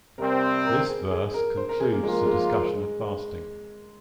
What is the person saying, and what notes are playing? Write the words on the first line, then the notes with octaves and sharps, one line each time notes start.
This verse concludes the discussion of fasting.
C3 G3 C4 A#4
C5
A#4
G#4
G#4
G#4
A#4
C5
A#4
G#4
A#3
F3 G#3 A#3 F4 A#4
G#3